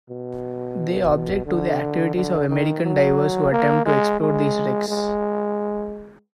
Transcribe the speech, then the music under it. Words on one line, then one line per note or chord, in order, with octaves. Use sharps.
They object to the activities of American divers who attempt to explore these wrecks.
B2
D3
D3
D#3
F#3
A#3
G#3
G#3
G#3